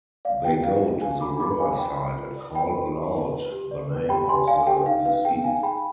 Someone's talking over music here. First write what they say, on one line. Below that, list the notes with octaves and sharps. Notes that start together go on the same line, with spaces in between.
They go to the riverside and call aloud the name of the deceased.
D5 F5
F4 G5
F4 F5
D5
B4 F5 G#5
F4 B5 D6
B4 B5 D6
F4 F5 G#5
F4 G5 B5
F4
F4
D5
F4 G5 B5
F4
D5
F4
B4
G4
D5
B4
G4 G5 B5
G4 G#5 C6
D5 F5 G#5
G4 G5
D#4 F5
B4 F5
G#4 G5
D#4 F5 G#5
G#4 G5 B5